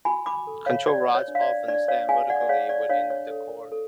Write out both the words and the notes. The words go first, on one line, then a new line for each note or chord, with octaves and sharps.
Control rods often stand vertically within the core.
F#4 G#5 B5
B5 D6
A4
C#5 F5
F#4 D5
C#5
D4
F5
D5
D4 D5
C#5 F5
G#4 F5 G#5
D5 F#5
D5
G#4 C#5 F5
D5
D4 C#5 F5
C#5
A4
A4